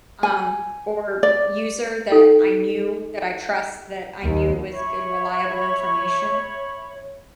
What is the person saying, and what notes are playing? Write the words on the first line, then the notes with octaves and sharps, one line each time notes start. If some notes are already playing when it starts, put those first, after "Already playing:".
um, or user that I knew that I trust, that I knew was good reliable information,
G#5
D5
D#4 A4
D#2
C#5 E5 B5 C#6